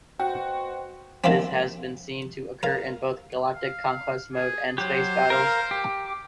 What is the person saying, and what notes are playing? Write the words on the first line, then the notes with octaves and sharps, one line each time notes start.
This has been seen to occur in both galactic conquest mode and space battles.
B2 F#4 C5 G5
D3 D#3 F3 A3 A#3 C4
A#4 F5
F5
G#4
F#3 G4 C5
A#4 F5
G4